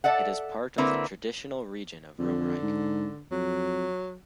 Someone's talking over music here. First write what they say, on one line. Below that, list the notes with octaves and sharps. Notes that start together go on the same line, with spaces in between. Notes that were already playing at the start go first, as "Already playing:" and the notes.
It is part of the traditional region of Romerike.
A4 D5 E5 F#5
D3 A#3 C4 E4 A#4 B4
F2 D3
G#2
F2 F#3